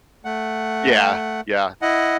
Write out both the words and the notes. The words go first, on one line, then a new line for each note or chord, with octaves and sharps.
Yeah, yeah.
A3 F#5
E4 D#5 F#5